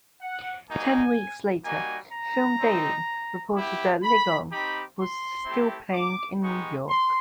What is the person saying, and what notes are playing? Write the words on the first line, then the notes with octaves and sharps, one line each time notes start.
Ten weeks later "Film Daily" reported that "Legong" was still playing in New York.
F#5
G3 A#3 D#4 F#4 G#5
G3 A#3 D#4 F#4 G#5
A#5
G3 C4 D#4
B3 E4 G4
B5
C4 D#4 G4 B5
C6
A3 C4 E4 G4
D6
G#3 B3 D#4 G4 C#6
C6